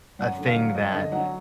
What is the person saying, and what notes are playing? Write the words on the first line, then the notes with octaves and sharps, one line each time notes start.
a thing that
F#2 F#5
D3
F5
F#3
F#2 D#5
D3 D#5
F#3 F#5